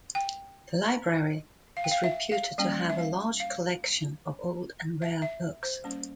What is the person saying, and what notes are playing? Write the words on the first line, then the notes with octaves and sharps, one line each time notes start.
The library is reputed to have a large collection of old and rare books.
G5
F5
G5
F5
E5
F5
G3 A#3 C#4 G5
E5
F5
F5
E5
E5
C5
G3 A#3 C#4